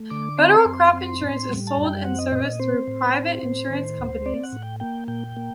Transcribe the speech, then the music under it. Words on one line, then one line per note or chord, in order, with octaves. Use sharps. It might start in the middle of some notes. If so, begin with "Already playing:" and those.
Federal crop insurance is sold and serviced through private insurance companies.
Already playing: A3
D3 D6
C4 C6
F#2
C4
A2
G3
A5
F#2
G5
C4 F#5
D#5
A#2 D#5
D#5
C4 C5
A2
C4
A2
D#3
D2
C4 D5
F#5
A2
G5
A#3 G5
A#2 G5
A#3